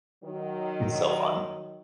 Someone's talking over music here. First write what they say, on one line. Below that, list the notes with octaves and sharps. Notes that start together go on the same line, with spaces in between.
It's so fun.
D#3 F#3